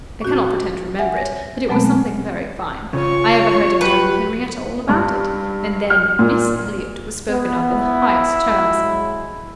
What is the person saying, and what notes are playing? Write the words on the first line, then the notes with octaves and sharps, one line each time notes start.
I cannot pretend to remember it, but it was something very fine--I overheard him telling Henrietta all about it; and then 'Miss Elliot' was spoken of in the highest terms!
A#2 C4 C#4 F#4 G6
E5 F#5 G#5
C#5 A#6
B2 F#3 G#3 A3 B3 C4
C#3 C#4 F4 C#5 C#6
F#3 G4 B4
G2
F6
A#2
B3
E4
F#3 G#3